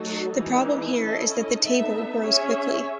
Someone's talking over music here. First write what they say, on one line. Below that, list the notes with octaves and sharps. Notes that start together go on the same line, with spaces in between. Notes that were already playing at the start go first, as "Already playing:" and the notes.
The problem here is that the table grows quickly.
Already playing: F#3 A3 D#4 F#4 A4
E3 G#3 D#4
C#4 E4 A4 D#5
B3 D#4 A4 E5
C#4 G#4 C#5 E5